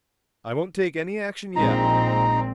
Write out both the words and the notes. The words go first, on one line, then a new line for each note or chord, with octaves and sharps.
I won't take any action yet.
A#1 A#2 G#3 C4 D#4 A#5